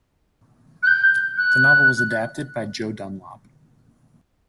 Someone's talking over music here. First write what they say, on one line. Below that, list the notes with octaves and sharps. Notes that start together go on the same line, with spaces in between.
The novel was adapted by Joe Dunlop.
F#6
G6
F#6